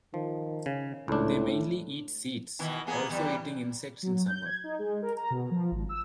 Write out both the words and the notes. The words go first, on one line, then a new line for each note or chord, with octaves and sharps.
They mainly eat seeds, also eating insects in summer.
D#3 F3
C#3
C#2 A2 D4
B2 D#3 E3
A#3 B3 G#4
E2 E3 G3
F#3
G6
G#6
D#4
G#3
A#4
A#5
B2
F3
G#1
E6